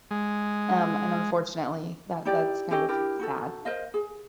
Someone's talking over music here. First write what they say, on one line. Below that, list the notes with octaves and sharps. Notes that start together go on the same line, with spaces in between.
um, and, unfortunately, that that's kind of sad.
G#3
D#4 E4 G4 D5
C#4 G4 A4 D#5
D4 E4 G4 A#4
D#4 F#4 A4
A#4 C5 D#5 F5
G#4